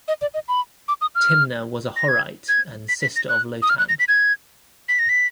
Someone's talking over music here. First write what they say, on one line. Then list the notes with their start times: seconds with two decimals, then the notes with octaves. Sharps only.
Timna was a Horite and sister of Lotan.
0.08 D#5
0.22 D5
0.34 D#5
0.48 B5
0.88 D6
1.01 D#6
1.15 F6
1.96 A#6
2.08 G#6
2.49 G#6
2.89 B6
3.02 B6
3.16 A#6
3.29 F#6
3.62 D#6
3.70 F6
3.79 F#6
3.89 A#6
3.99 B6
4.08 G#6
4.89 B6
4.99 A#6
5.09 B6